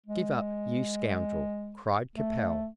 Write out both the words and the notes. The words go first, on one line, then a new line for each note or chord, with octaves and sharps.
"Give up, you scoundrel!" cried Capel.
G#3
A3